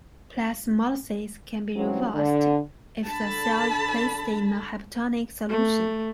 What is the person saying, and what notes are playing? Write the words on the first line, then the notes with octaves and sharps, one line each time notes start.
Plasmolysis can be reversed if the cell is placed in a hypotonic solution.
G2 E3 F#3 C4 C#4
D3
D3 A5 B5
A3